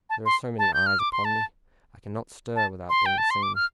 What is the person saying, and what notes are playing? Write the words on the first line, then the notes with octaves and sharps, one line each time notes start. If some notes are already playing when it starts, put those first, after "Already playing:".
"There are so many eyes upon me, I cannot stir without being seen."
A5
C6
A5
G6
F6
D6
C6
A5
A5
C6
G5
A5
C6
D6
F6